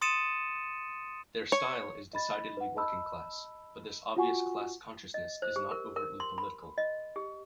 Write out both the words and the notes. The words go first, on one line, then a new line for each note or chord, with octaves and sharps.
Their style is decidedly working-class, but this obvious class-consciousness is not overtly political.
C6 D#6 A6 C#7 D#7 E7
C#5
D#5 B5 A6
B4 F#5
D#5 A5 B5 E6
F4 F#4 F#5 G#5 C#6
D#5
C5
G4
A#4
A#4
C6
B5
D#5
G4